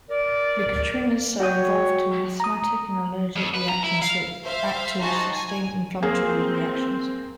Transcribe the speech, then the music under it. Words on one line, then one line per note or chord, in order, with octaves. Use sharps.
Leukotrienes are involved in asthmatic and allergic reactions and act to sustain inflammatory reactions.
A#4 D5
F#4 C#5 G5 D#6
A#5 D#6
F2
B4
A#5
E4
F5
C5 E5 F5
D#4 F#4 G#4 C5 A5 A#5
G#5
A#3 C4 G#4